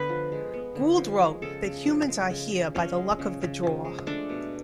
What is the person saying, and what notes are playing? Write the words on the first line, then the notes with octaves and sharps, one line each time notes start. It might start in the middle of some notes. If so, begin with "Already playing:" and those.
Gould wrote that Humans are here by the luck of the draw.
Already playing: D3 B3 B4
F3
G#3
B3
D3
F3
G#3
C#3 A4
C#3
F3
G#3
C#3
C#3
F3 C#4
G#3
C#3
C#3
F3
G#3
A3 D4
B2